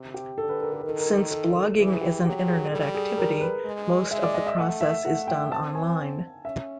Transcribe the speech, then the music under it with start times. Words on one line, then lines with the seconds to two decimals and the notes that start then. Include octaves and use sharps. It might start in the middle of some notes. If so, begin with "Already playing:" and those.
Since blogging is an Internet activity, most of the process is done online.
Already playing: C3
0.14 G4
0.38 D3 A4
0.49 B4
0.61 A#4
0.73 A4
0.81 D#3 A#4
0.89 A4
0.98 A#4
1.06 A4
1.31 A4
1.55 A4
1.78 E3 G#4
2.01 G4
2.24 F#3 G4
2.47 G#4
2.71 G3 A4
2.95 G#4
3.17 A#4
3.41 B4
3.65 G#3
4.11 G#3 E5
4.23 D5
4.34 D#5
4.46 E5
4.58 A3 F#5
4.81 E5
5.05 A3 F#5
5.27 G5
5.51 C4 A5
5.75 G#5
6.45 C#4 E5